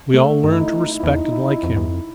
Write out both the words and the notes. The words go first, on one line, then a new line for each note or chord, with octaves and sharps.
We all learned to respect and like him.
A3
G2 D#4
E4
D#4
E4
D#4
E4
D#4
E4
E2
D#4
E4
D#4
E4
D#4
E4
D#4
F2
E2
F2